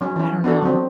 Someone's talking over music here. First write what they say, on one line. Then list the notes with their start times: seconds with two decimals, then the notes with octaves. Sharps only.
I don't know.
0.01 F#3 C#4
0.16 E3 C#4
0.44 B3 D4 F#4 A4
0.62 F#3 C4